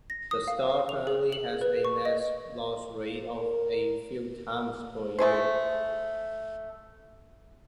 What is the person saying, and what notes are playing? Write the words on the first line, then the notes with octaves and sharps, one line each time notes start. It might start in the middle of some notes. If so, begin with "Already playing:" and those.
The star currently has a mass loss rate of a few times per year.
A#6
D#6
F5
F7
G#4
F#7
B4
C#6
D#5
A#4
A3 G#4 C5